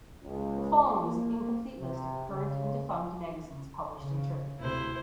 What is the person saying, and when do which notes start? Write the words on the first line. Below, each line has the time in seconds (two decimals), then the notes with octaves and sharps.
The following is an incomplete list of current and defunct magazines published in Turkey.
0.23 C#2
1.04 A#3
1.81 C3
2.30 C#3
3.97 C#3
4.60 D2 C3 E4 C5